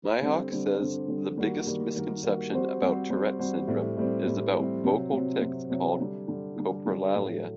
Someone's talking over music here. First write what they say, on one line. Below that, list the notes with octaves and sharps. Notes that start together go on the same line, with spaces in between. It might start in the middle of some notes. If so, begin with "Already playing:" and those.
Mihok says the biggest misconception about Tourette's Syndrome is about vocal tics, called coprolalia.
D3 G3 C4
D3 G3 C4
D3 G3 C4
D3 G3 C4
D#3 G3 A#3 F#4 A#4
D#3 G3 A#3 F#4 A#4
D#3 G3 A#3 F#4 A#4
D#3 G3 A#3 F#4 A#4
G3 C4 F#4 C5
G3 C4 F#4 C5
G3 C4 F#4 C5
G3 C4 F#4 C5
A2 G3 C4
A2 G3 C4
A2 G3 C4
A2 G3 C4
C3 F#3 C4
C3 F#3 C4
C3 F#3 C4
C3 F#3 C4
D3 G3 D4
D3 G3 D4
D3 G3 D4
D3 G3 D4
A2 F#3 A3